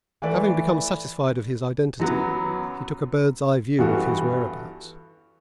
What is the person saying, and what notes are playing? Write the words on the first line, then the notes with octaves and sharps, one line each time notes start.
Having become satisfied of his identity, he took a bird's eye view of his whereabouts.
E3 A3 E4 B4 D5
F#2 F#3 B3
G2 E3 B3 F#4 A4